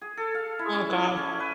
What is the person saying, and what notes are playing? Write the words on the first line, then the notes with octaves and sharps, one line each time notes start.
Oh god.
G#4
A4
F5
E4
C#4
E4
D5
C#4
B4